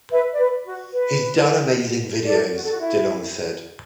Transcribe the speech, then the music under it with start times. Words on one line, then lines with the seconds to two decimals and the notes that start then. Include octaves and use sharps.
"He's done amazing videos," DeLonge said.
0.11 B4 E5
0.33 D5
0.38 B4
0.64 F#4
0.92 B4
2.25 A4 D5
2.52 F#4
2.63 A4
2.71 F#4
2.79 E4